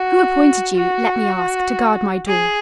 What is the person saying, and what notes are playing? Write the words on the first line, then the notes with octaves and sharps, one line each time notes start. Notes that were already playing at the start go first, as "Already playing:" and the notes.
Who appointed you, let me ask, to guard my door?
Already playing: F#4
F#4
G#4